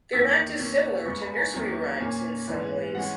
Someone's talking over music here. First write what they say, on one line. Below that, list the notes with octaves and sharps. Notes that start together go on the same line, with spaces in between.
They’re not dissimilar to nursery rhymes in some ways.
E2 D#3 A#3 E6
B2 A#3 C#4
C#3 G#3 B3 C#6
B5
G#5
A#5
E2 D#3 F#3 A#3 C#4
A#2 A#3 C#4 G#5
G#2 E3 B3
E3 G#3 C#4 F#5